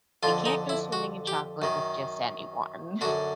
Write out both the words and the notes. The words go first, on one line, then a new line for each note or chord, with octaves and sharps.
you can't go swimming in chocolate with just anyone.
F2 D3 F4
D#4
E4
F#4
G4
F#2 D#3
F#2 D3 F#4